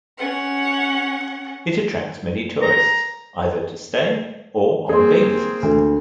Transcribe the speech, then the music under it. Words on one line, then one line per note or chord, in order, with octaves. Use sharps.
It attracts many tourists either to stay or on day-visits.
C#4 F#5
A#5
A#3 C4 G#4 C6
D2